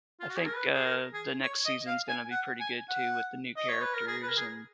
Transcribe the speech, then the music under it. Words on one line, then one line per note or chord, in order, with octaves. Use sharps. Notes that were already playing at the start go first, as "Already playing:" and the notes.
I think, uh, the next season's gonna be pretty good too, with the new characters and
F4
F#4
G#4
A#4
B4
G#4
A#4
G#4
C#5
D#5
F5
G#5
F#5
G#5
F#5
D#5
C#5
B4
A#4
G#4
B4
A#4
G#4